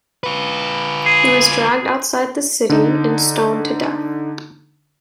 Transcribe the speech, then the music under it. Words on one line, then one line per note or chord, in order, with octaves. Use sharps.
He was dragged outside the city and stoned to death.
F4 B4
G#4
D3 D#4